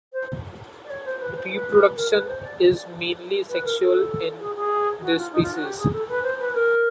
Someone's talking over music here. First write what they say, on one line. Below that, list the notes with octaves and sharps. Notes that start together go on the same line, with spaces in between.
Reproduction is mainly sexual in this species.
C5
D5
C#5
C5
B4
C5
B4
A#4
B4
C5
D5
D5
B4
A#4
A4
G#4
G#4
F#4
F4
D#4
F4
F#4
G4
G#4
A4
B4
C5
B4
A#4